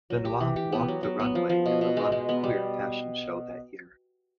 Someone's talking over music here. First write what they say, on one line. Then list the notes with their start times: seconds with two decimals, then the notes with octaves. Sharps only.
Benoit walked the runway in the London Queer Fashion Show that year.
0.10 F#3
0.25 G4
0.40 E3
0.56 G4
0.72 B3
0.88 F#3
1.03 F#3
1.19 B3
1.35 F3
1.49 F3
1.66 B2
1.81 B2
1.97 G#3
2.12 G#3
2.29 B3
2.43 G3